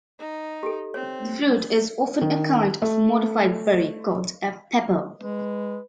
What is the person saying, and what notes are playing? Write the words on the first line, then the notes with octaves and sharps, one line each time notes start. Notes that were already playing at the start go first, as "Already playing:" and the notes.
The fruit is often a kind of modified berry called a pepo.
D#4
G4 A4
C4 C#5
D#3
A3
G#3 B4